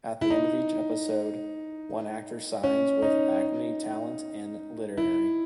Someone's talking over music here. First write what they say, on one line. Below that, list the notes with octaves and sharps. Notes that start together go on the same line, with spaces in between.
At the end of each episode, one actor signs with Acme Talent and Literary.
E4
D#4
C#4
D#4
E4